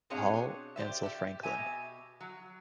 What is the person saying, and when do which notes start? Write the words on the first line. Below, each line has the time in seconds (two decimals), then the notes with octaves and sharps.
Hall, Ansel Franklin.
0.10 B2 C4 D4 G#4 C#5 F5
0.76 G4 C5 D5 E5
1.03 G4 E5
1.43 B2 G4 E5 G#5
2.21 F#3